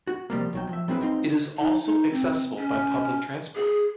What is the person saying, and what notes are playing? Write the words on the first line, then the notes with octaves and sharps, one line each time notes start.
It is also accessible by Public Transport.
F#4
C3 F3 G3 A#3
B1 F#3 G5
F3 E5
F#3 C4 E4 G#4 B4
C4 D#4 F5 C6
D#4
D#4
C4
C#4
G#4